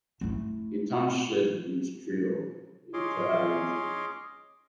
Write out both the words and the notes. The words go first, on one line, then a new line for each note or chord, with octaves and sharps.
The town shared the history of the entire region.
A3 E4
C#4 G#4 C#5 D#5 C6 D6